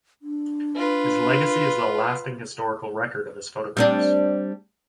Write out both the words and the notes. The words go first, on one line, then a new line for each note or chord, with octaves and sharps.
His legacy is the lasting historical record of his photographs.
D4
F4 B4
G3 C4 D4